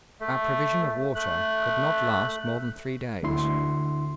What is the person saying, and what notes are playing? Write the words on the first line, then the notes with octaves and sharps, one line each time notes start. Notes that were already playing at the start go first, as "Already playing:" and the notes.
Our provision of water could not last more than three days.
A3
A3 F#6
D2 D3 E4 C6